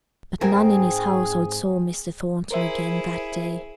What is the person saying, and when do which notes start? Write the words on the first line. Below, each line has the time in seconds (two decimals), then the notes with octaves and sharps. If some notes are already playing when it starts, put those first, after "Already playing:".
But none in his household saw Mr. Thornton again that day.
0.41 G#2 C4 G#4 A#4 G#5
2.51 E4 G#4 A#4 C5 E5